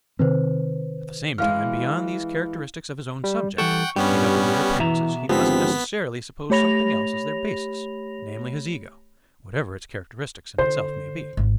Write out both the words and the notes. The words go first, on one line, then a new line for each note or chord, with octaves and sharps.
At the same time beyond these characteristics of his own subject, made up of mere appearances, he must necessarily suppose something else as their basis, namely, his ego, whatever its characteristics in itself may be.
C3 D#3 C4 B4 C5
E3 G#3 F5 F6
G3
E3 G3 A4 F#5 G5 C#6
G2 G3 B3 C#4 G4
B2 E3 E5 A#5
G#1 D3 F3 G#3 B3 C4 G4 B6
A3 G4 C#5 B5 A#6 F7
D3 C5
G#1